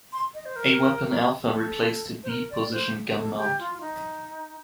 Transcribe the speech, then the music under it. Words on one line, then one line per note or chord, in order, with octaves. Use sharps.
A Weapon Alpha replaced the B position gun mount.
C6
D#5
C5
A#4
A4
C5
A#4
D5
C5
A4
G4
F4
F4
D#4